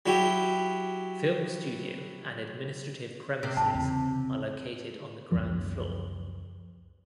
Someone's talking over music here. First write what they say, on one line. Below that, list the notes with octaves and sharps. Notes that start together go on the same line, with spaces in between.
Film studio and administrative premises are located on the ground floor.
F#3 E4 F#4 G4
C3
G#1 F#2 A5
E2 C#3
C#2 F#2 F3